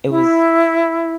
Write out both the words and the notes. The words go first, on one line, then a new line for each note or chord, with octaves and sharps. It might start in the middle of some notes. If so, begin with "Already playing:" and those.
It was
E4